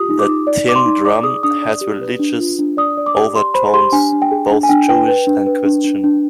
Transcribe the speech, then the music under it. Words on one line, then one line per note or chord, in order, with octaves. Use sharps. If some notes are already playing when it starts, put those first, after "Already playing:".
"The Tin Drum" has religious overtones, both Jewish and Christian.
Already playing: F4 G4 D#6
D#4
D6
D#4
D5
D5 D6
C6
D#4
D5 D6
G#4 D#6
D4 D#6
D5
G4
B4
D4
F4
D4
D5 D#6
D5
D6
G4
G4 C6
C5 B5
G4 C6
D4 G#5
D4
G5
G#4
D4
G#5
D4 G5
B4 G5
B4
D4
B4
D4
D4
D4